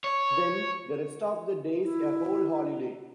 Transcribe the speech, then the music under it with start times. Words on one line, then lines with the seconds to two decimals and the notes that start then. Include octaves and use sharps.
Then the rest of the day's a whole holiday.
0.04 C#5
1.83 E4